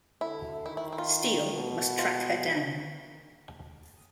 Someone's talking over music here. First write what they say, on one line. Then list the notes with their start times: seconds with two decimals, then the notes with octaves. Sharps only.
Steele must track her down.
0.21 D3 E4
0.66 D#3 E4
0.77 E4
0.92 E4
0.98 F4
1.54 B2
1.99 F4